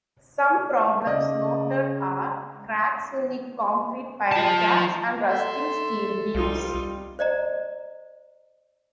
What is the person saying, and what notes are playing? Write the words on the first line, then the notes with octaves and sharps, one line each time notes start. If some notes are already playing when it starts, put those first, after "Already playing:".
Some problems noted are cracks in the concrete pier caps and rusting steel beams.
C#3 D5 D#5
F4 A5
A4 E5 C6
C2 G3 D#4 F4
C5 D5 D#5 A#5